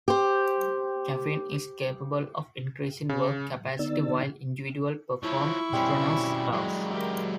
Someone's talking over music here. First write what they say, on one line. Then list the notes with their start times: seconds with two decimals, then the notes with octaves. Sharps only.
Caffeine is capable of increasing work capacity while individuals perform strenuous tasks.
0.08 G4 C5
3.09 C#3
3.79 D3 B3 D#4 D5 E6 A6
5.23 F3 E4 C#5 C#6
5.73 B2 G3 C4 C#4
6.53 F#3 G#3
6.91 G4 A#4 E5